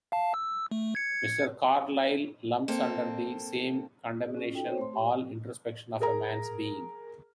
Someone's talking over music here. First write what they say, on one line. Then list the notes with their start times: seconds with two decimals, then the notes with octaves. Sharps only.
Mr. Carlyle lumps under the same condemnation all introspection of a man's being.
0.12 F5 A5
0.34 E6
0.71 A3
0.95 G#6 C#7
2.68 A#3 C4 A4
4.24 G#4
4.37 C#4 F4
4.53 D#4 F#4 A4 G5
4.66 C4 C5 C#5
4.78 A3 C6
4.93 G4 C#5
6.00 G#4 A#4 A#5